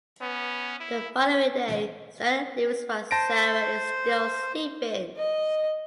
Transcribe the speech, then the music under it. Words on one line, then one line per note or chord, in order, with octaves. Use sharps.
The following day Stella leaves while Sarah is still sleeping.
B3 C#4
E4
C5 A5 A#6 D7
D#5